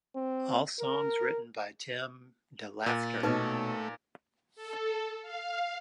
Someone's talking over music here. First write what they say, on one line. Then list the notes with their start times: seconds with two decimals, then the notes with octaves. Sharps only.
All songs written by Tim DeLaughter.
0.16 C4
0.80 A#4
2.86 A#2
3.23 B2 A3 D#4 B4 C#5
4.56 A4
5.22 F5